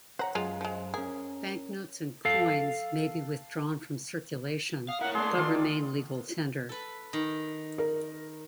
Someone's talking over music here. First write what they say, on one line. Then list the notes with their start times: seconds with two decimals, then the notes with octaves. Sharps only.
Banknotes and coins may be withdrawn from circulation, but remain legal tender.
0.19 C5 C#5 F#5 A#5
0.35 F#2 G#3 F4
0.61 F3 G#3
0.94 C#4 G#4 A#4
2.25 A4 F5
4.88 F5 D#6
5.01 E4 A#4 C#5 F#5
5.14 A3 A#3 D4 G#4 C6
5.37 D#3 E4 F4 D5
6.69 A4 B4
7.13 D#3
7.78 A#4